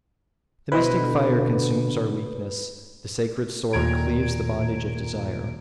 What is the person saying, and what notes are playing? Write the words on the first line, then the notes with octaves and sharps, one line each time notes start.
The mystic fire consumes our weakness, the sacred sword cleaves the bondage of desire.
B2 D3 E4 B4 C5 D#5
D#2 A#2 D#3 A#5 G#6 D7